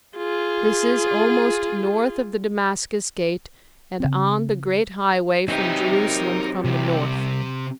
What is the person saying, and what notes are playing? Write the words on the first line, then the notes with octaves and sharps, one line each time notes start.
This is almost north of the Damascus gate and on the great highway from Jerusalem from the north.
F4 G#4
C#3 C4
F#3 C4 D#4 E4 G4 B4
A#4
C2 C3